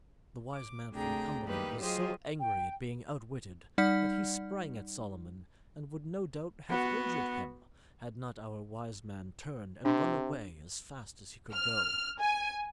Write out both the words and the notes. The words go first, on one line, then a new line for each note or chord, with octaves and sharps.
The wise man from Cumberland was so angry at being outwitted that he sprang at Solomon and would no doubt have injured him had not our wise man turned and run away as fast as he could go.
D6
D2 C3 D4 G#4 G5 A#5
D#3 G3 A#3 D#4 G4 B4
F#3 F4 G4 G#4 C5 D#5
G5
G3 D#4 D5 F#5 F6 B6
B3 F#4
C3 D4
F6
G#5